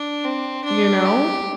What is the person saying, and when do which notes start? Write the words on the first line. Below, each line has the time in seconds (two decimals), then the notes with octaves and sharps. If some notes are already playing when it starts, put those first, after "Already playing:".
You know?
Already playing: D4
0.24 C4
0.64 D4
1.05 G4